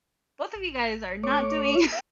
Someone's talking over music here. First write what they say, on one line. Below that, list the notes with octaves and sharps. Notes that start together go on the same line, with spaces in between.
both of you guys are not doing you
A1
A3 C#5 D6